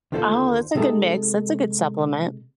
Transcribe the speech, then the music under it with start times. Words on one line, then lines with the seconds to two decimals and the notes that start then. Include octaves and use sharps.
Oh, that's a good mix. That's a good supplement.
0.12 D#2 D3 F4 A4 C5
0.75 C3 G#3 D#4 A4 A#5